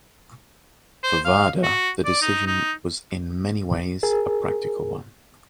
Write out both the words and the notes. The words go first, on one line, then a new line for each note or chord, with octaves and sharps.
For Varda, the decision was in many ways a practical one.
C5
F5
F#4
D5
D#4
D#4
G#4 A#4